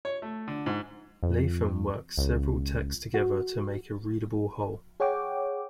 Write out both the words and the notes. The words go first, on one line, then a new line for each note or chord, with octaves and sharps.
Latham works several texts together to make a readable whole.
C#5
A3
D3
G#2
F2
C#2
F#4
G#4 C#5 F#5 G5 D6